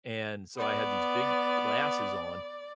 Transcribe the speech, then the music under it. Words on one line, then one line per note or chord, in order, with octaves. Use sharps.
And so I had these big glasses on.
B3 D5